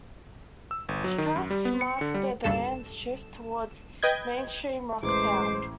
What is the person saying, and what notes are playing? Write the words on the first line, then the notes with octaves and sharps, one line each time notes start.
"Strast" marked the band's shift towards mainstream rock sound.
E6
G1
F#3
D#3
F#2
G3
B3
C#7
D3
G3
G1 C#2 G2 B2 A4 E7
B4 D#5 G5 G6 G#6
A1 G#3 C5 D6